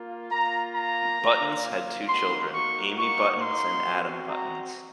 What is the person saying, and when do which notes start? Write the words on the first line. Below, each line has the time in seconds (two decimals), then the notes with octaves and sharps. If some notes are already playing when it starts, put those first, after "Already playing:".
Buttons had two children, Amy Buttons and Adam Buttons.
Already playing: A#3 F4
0.31 A#3 F4 A#5
0.76 A#5
1.20 A#3 F4
2.08 A#3 D#4 F#4 C6
2.52 C#6
2.96 A#3 D#4 F#4 C#6
3.40 C6
3.84 C4 F#4
4.29 A#5